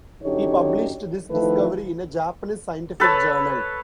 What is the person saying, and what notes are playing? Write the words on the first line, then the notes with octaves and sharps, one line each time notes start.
He published this discovery in a Japanese scientific journal.
F#2 D3 D#4 G4 C#5
D#3 F3 A3 E4 B4
A4 B4 C#5 A5